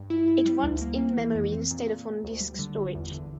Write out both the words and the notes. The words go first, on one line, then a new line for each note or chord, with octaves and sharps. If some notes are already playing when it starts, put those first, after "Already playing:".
It runs in-memory, instead of on disk storage.
Already playing: G2
E4
E4
G3
D2
A#3
A#3
E3
F2
C4
A#2
A#2
A#2
D2
G3
D3
G1
E2
D3